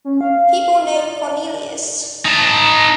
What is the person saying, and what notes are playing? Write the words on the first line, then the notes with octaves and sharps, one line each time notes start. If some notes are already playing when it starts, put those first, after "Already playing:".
People named Cornelius.
C#4
F5
D5
D#4 A5